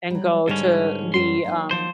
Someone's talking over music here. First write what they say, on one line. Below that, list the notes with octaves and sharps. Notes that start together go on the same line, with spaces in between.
and go to the, um
F#3 G3
G#2 D3 G3 B3 C#4
F#2 G3 C#4 C6
F#3 A#3 D#4
F3 C5